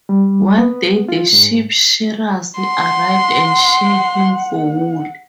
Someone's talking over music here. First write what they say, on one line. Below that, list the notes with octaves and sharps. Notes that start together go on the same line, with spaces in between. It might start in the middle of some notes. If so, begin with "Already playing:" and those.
One day the sheep-shearers arrive and shear him for wool.
G3
B3
F4
G#2
F#5 C6